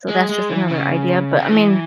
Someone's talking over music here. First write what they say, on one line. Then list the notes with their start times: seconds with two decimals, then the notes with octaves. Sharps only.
So that's just another idea, but I mean
0.08 G#3
0.29 G#3
0.50 E3
0.70 C#3
1.40 C#3
1.51 E3